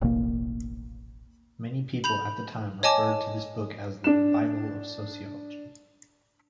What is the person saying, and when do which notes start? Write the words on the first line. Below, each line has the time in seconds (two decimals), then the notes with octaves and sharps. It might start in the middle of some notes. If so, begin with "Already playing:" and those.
Many people at the time referred to this book as the "Bible of Sociology".
0.01 D#1 A1 B2 A#3
2.04 B5 G6 F7
2.83 C#5 D#5 G#5 A5 D6
4.04 D4 E7